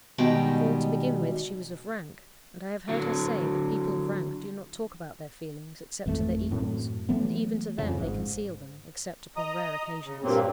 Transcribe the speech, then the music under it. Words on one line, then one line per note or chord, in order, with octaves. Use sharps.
For, to begin with, she was of rank: and I have heard her say that people of rank do not talk about their feelings except to their equals, and even to them they conceal them, except upon rare occasions.
B2 D#3 G3 G#3 D#4 G5
D3 F#3
G#1 F2 E3 A3
F#2 A2 C4
E3 F#3 A3 B3
F2 C#3
G#1 G#2
D#5 A#5 D#6
C#3
G2 A#2 F#3 A#3 C4